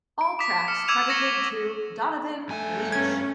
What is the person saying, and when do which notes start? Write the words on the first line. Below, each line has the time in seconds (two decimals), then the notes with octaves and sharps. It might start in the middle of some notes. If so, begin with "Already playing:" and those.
All tracks credited to Donovan Leitch.
0.21 D7
0.39 D6 D#6 B6
0.68 F6 C#7 E7
0.88 D6 E6 G#6 D#7 F7
1.09 C#6 A#6 C#7 F#7 G7
2.49 G2 A3 G#5
2.92 C#4 G#6